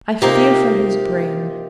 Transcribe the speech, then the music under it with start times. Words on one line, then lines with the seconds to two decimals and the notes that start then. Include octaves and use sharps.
I fear for his brain.
0.22 C3 F3 A#3 D#4 G4